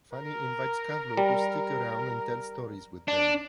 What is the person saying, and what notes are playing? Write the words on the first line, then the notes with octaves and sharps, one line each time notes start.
Fanny invites Carlo to stick around and tell stories with them.
A#4
G3
D4